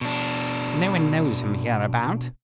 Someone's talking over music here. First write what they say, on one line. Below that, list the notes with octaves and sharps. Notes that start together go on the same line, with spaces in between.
No one knows him hereabout.
B2 D4